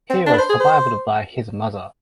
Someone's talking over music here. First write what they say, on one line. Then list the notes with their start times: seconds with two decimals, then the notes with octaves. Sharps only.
He was survived by his mother.
0.10 C4
0.26 D4
0.33 B4
0.38 C5
0.49 G#4
0.60 C5